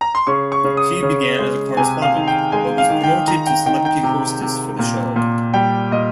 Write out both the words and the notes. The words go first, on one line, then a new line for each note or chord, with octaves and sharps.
She began as a correspondent, but was promoted to celebrity hostess for the show.
A#5
C6
C#3 C#6
C#6
C#3
D#6
C#3
G#3
C3 G#5
F5
D#3
G5
G#3 G#5
F5
D#3
G5
D#3 A#5
G5
D#3 G5
G5
C3
C3
A#2
A#2
G3 G5
A#2 D#5